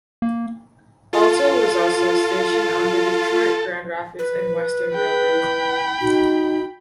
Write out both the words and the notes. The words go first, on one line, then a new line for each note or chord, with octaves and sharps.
Alto was also a station on the Detroit, Grand Rapids and Western Railroad.
A#3
F4 A4
B4
G#4 G5 B5
E4
D#4 F#4